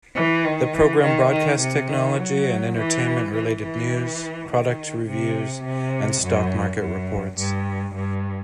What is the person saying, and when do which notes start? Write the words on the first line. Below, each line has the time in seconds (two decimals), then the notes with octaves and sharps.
The program broadcast technology- and entertainment-related news, product reviews, and stock market reports.
0.15 E3
0.44 D#3
0.74 E3
1.02 D#3
1.31 D#3
1.60 C3
1.88 D#3
2.18 F#3
2.76 E3
3.33 E3
3.63 E3
4.49 D#3
5.07 C3
5.64 C3
6.23 F#2
6.79 F#2
7.37 G2
7.95 G2